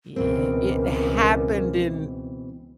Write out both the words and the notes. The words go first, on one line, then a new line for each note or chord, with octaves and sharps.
yeah, it happened in
C#2 B2 E3 C4 A#4